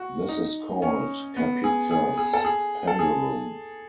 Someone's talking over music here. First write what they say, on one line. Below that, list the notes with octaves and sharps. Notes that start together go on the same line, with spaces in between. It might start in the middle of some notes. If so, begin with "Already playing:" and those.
This is called Kapitza's pendulum.
Already playing: F#4
D#4
C#4
B3
G#4
G#4
G#4
A4
G#4
A4
G#4